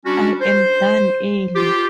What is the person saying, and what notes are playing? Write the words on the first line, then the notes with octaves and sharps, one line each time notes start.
I am done early.
G3 C#4 D4 F#4
C5
F4 G4